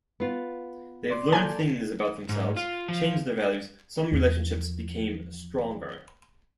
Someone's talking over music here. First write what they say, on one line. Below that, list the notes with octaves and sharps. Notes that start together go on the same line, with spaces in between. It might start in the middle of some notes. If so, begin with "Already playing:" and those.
They've learned things about themselves, changed their values, some relationships became stronger.
B3 F4
D5 C6
A#3 A4 G#5 G6 D7
G#2
F4
F3
E2 F3